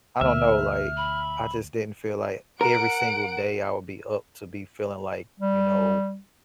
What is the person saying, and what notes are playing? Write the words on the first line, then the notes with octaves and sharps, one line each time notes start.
I don't know, like, I just didn't feel like every single day I would be up to be feeling, like, you know,
D2 B2 E5 F6
B5
A#4 F#5 D7
G3